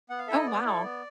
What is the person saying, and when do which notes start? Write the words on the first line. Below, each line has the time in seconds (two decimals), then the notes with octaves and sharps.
Oh, wow.
0.10 B3 F#5
0.19 F5
0.28 E4 A4 E5
0.36 D#5
0.46 B3 D5
0.65 E4 A4
0.84 B3